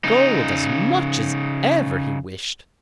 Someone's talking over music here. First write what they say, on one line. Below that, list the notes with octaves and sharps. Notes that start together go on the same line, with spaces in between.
Gold as much as ever he wished.
C#3 D#4